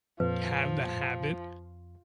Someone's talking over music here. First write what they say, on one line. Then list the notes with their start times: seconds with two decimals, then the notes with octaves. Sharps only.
have the habit
0.20 F2 A#2 F3 B4